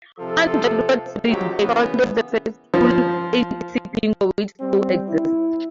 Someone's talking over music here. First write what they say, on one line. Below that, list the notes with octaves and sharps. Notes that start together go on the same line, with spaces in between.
On Jadwat Street, they founded the first school in Isipingo which still exists.
C3 F3 A4
C#2 G#2 F3 F#3 G4
C#3 E3 A#3 B3
F3
G3 C4
E4